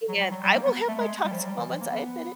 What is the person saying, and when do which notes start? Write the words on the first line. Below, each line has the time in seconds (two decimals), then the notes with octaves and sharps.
And I will have my toxic moments, I admit it.
0.08 F#3
0.20 G3
0.31 F#3
0.43 G3
0.54 A#3
0.65 B3
0.88 A3
1.00 G#3
1.23 G3
1.32 F3
1.39 F#3
1.46 G3
1.58 E3
1.69 F3
1.81 A#3
1.92 B3